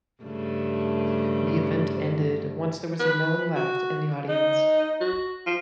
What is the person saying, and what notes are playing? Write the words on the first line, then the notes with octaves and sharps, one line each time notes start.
The event ended once there was no one left in the audience.
G2 C#3 A3
B4
F#4
D#4
F#4
F4